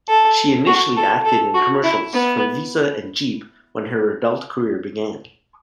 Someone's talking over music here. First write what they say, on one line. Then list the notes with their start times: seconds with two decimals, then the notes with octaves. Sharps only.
She initially acted in commercials for Visa and Jeep when her adult career began.
0.09 A4
0.67 F#4
0.97 A4
1.25 A4
1.54 F#4
1.84 E4
2.13 B3